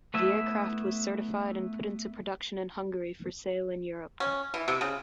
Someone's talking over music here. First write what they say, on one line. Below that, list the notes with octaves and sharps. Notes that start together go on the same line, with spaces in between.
The aircraft was certified and put into production in Hungary for sale in Europe.
A3 B3 E4 B4 E5
C#4
E3
C3
C#3